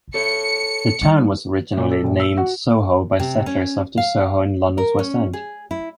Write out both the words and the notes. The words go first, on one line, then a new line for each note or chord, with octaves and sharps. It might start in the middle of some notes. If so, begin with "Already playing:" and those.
The town was originally named Soho by settlers after Soho in London's West End.
A4 C#5 C#7
G3 D#4
A#2
A4
A#1
E6
F#4
C3
C#4
F5
A#4
C#4
G#4
E4